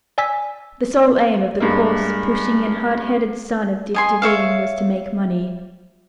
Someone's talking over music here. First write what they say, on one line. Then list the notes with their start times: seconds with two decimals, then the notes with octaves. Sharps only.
The sole aim of the coarse, pushing and hard-headed son of Dick Devine was to make money.
0.18 D5 G#5 E6 B6
1.60 G2 G#3 A#3
3.94 D#5 G#5 C6
4.22 C#5 E5 F5